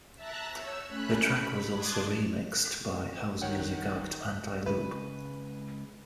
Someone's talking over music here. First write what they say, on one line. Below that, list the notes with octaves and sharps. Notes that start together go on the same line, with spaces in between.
The track was also remixed by house music act Antiloop.
E5 A5 A#5 F#6
C#5 E6
A3 C#4 B5 F#6
B5
A5 C6 D6 D#6 F#6 G#6
D#3 C#5 F#5 G5
C#2 C#3 G#3 B4